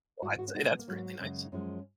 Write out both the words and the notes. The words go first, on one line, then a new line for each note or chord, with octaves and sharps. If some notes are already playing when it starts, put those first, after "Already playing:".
Well, I'd say that's really nice.
G#2 D#3 G#3 F#4
F4
F#4
C#4
B2 G#3 D#4
C#4
B3
A#3
G#2 F#3
F#2 C#3 G#3
D#4
F#2 F3 G#3 C#4